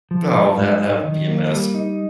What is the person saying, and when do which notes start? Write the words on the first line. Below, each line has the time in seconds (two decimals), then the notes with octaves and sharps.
Oh, that that would be a mess.
0.11 F3
0.35 F4
0.57 G#2
0.81 D#4
1.04 D#3
1.28 A#3
1.51 G3
1.75 D#4